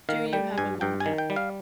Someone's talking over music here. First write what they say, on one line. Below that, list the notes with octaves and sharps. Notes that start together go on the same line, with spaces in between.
Do you have a moment?
D#3 F5
G3 G5
G2 G#5
G2 G5
G#5
D#3
G5
G3
F5